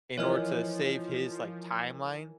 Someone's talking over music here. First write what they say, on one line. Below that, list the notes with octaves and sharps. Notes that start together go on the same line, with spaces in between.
in order to save his, like, timeline,
E3 F3 A#3 C#5 D#5 F6